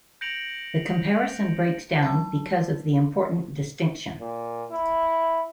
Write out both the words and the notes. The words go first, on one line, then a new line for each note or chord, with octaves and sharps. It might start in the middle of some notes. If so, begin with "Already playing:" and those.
The comparison breaks down because of the important distinction.
G6 A#6 C#7 D7 F7 F#7
F#3 A5
A#2
E4